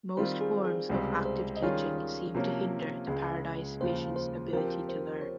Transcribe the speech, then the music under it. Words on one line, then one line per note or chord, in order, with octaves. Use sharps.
Most forms of active teaching seem to hinder the paradise fish's ability to learn.
D#3 G3 C4 F4 C5
G#4
G#4
C#2 C3 G3 C4
C5
D#5
D#3 G3 C#4 F4 G#4 C#5
C#5
C3 F3 A#3 C#4
C#2 C#3 G#3
D#2 C#3 F3 C5
C5
F3 C4 G4 A#4
C5
C#5